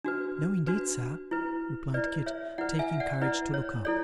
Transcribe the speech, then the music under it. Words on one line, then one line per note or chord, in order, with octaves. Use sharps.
'No indeed, sir,' replied Kit, taking courage to look up.
D4 F#4 B4
D4 F#4 B4
E4 B4
E4 B4 D5
C#5 E5
E4 B4 D5 F#5
E5 G#5
D5 F#5
E4 B4 D5
C#5
E4 A4 C#5 D5